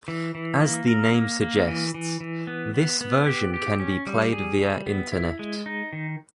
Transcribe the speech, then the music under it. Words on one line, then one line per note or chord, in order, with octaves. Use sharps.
As the name suggests, this version can be played via Internet.
E3
E3
A#3
A#4
A#3
A#3
E3
E3
E3
B3
B3
B3
G4
G4
C#4
G3
G#4
G3
B3
E4
G#3
D#4
D#3